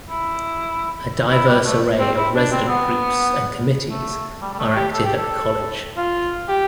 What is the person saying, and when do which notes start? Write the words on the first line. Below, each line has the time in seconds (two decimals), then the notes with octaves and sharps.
A diverse array of resident groups and committees are active at the college.
0.10 E4
1.31 E4
1.48 G3
1.65 A3
1.99 C4
2.17 E4
2.35 D4
2.52 C4
2.69 B3
3.90 A3
4.41 G3
4.54 G3
4.59 A3
4.76 G4
4.93 A4
5.05 G4
5.17 A4
5.97 F4
6.49 G4